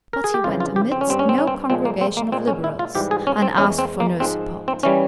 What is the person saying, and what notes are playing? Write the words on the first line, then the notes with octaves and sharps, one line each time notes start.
But he went amidst no congregation of Liberals, and asked for no support.
A#4
G#4
G4
F2 C#3 E3 F4
F4
G4
C4
C#4
G2 G3 C4
C#4
C4
C#4
C4
A#2 F3 G#3 C4
A#3
C4
A#3
A#2 G#3 C4
C#4
E4
F4
G#2 E3 G3 G4
G#4
C#4
C4
E2 E3 G#3 C#4
C4
A#3
G#2 F3 G#3 C4
C4
E3 G3 C#4